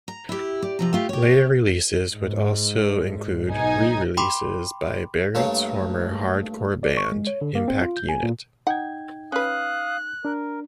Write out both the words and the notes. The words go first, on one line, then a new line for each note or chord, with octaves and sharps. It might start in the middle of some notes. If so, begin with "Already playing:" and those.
Later releases would also include re-releases by Barrett's former hardcore band, Impact Unit.
A#5
E4 G4
G4 D5
C3 F3 A#5
A3 F4 G4
G4 C#5
G#2
B1 D#4 G#5
G5 B5 C6 D6
G2 A3 A#3 C#5
D5
C#6
G#3
C#5
D3
A#3
C4
F4
G6
G#5
A#2
D#4 F#5 G5 G#6
C#4 B4 F5 D#6 F#6
D4 A#4